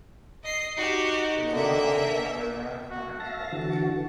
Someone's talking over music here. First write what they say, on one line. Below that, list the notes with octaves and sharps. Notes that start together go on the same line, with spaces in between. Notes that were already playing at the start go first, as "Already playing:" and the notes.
It is now occupied by Rathmines College.
D#5 C7
D#4 F#4 G4
D3 A#3 E5
F#4
E5 F5 A5 A#6
D3 E3 F#4